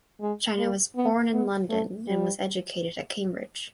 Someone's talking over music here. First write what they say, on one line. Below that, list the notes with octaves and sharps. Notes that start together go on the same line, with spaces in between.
China was born in London and was educated at Cambridge.
G#3
A#3
B3
B3
A3
G3